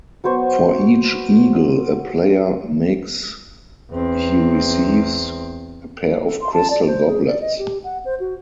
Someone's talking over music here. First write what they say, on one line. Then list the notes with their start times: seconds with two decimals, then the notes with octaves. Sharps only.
For each eagle a player makes he receives a pair of crystal goblets.
0.24 F#3 B3 C5 C#6
3.91 E2 C4
6.25 A4
6.41 C6
6.53 A5
6.70 D5
6.87 C5
7.07 G#4
7.27 D5
7.41 D#5
7.59 G4
7.84 F#5
8.05 C5
8.20 F#4